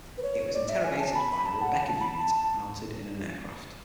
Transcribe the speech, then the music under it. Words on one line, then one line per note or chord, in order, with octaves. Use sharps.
It was interrogated by a "Rebecca" unit mounted in an aircraft.
B4
C#5
C#5
D5
E5
G#5
A5
B5
B5
A5
F#5
A5
A5
B5
A5